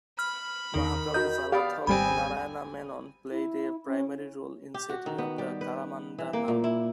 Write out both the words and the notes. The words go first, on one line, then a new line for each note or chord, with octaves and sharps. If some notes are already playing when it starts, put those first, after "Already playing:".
Mahakavi Vallathol Narayana Menon played a primary role in setting up the Kalamandalam.
B5 F6
E2 D#3 A#5
F#4 A#4 D#5 G6
B3 G4 D5 F5
G#1 D#2 G3 B3 C4 G#5 B5
E4
C#4
G4
F#4
D#3
B3
G3
B4
E3
A#3
A#2
E4